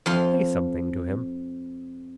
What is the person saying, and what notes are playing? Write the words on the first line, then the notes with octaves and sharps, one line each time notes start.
Say something to him.
F2 F5 C6